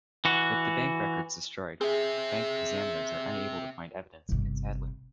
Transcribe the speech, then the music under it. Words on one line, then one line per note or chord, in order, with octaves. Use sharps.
With the bank records destroyed, bank examiners are unable to find evidence against Hadley.
E3 F#4
C4 G#4 E5
G1 C3